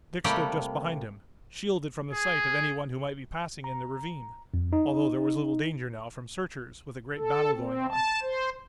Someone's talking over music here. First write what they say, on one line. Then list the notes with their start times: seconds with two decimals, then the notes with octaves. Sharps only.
Dick stood just behind him, shielded from the sight of any one who might be passing in the ravine, although there was little danger now from searchers with a great battle going on.
0.24 C3 G3 A3 A#3 E4 G4
2.13 G#4
3.64 A#5
4.54 F2
4.73 D#4
7.17 A4
7.55 C4
7.89 A5
8.22 C5